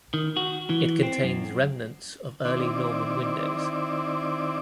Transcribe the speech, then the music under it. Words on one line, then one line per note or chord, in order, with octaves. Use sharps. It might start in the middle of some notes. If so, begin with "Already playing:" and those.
It contains remnants of Early Norman windows.
D#3
F#4
E3
C4
F#2
D#3 C4 E4 D5